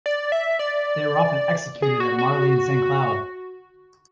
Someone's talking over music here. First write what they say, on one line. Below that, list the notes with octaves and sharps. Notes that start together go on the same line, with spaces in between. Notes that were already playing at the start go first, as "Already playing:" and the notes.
They were often executed at Marly and Saint-Cloud.
D5
E5
D5
G#4
F#4
F#4